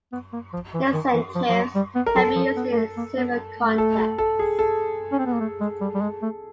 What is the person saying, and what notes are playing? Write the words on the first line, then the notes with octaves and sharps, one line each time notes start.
Incentives can be used in several contexts.
B3
A#3
F3
E3
D#3
E3
F3
F3
F#3
G3
B3
A#4
F#3 A4
F3
B3
A#3
A3
A#3
B3
A3
A4
A4
A4
G#4
A4
C#4
C4
B3
A#3
A3
G#3
G3
G3
G#3
A3